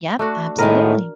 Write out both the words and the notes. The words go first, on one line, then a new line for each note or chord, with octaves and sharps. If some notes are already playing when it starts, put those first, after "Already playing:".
Yep, absolutely.
A3 D4 F#4
A2 D#3 G#3 B3 A#4